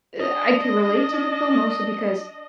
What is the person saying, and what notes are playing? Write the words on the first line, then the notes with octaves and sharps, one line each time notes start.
eh, I can relate to the film mostly because
D4 D#5